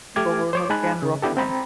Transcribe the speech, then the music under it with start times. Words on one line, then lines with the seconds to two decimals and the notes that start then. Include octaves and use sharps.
Governor Ken Rothman.
0.16 A3 G4 D6 F6 G#6
0.53 C5 C#5 D6
0.70 G#3 D#4 G#5 A5 B5 F#6
1.02 C#3
1.22 B3 D4 E4 G4 A4
1.37 C4 G5 A#5 B5